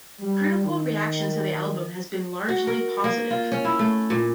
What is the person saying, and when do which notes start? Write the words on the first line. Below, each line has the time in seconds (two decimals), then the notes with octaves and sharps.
Critical reaction to the album has been largely positive.
0.21 G3
0.65 D#3
2.49 F#4
2.67 A#4
3.04 A#3
3.31 F4
3.52 C#4
3.65 E4
3.79 A3
4.10 A#2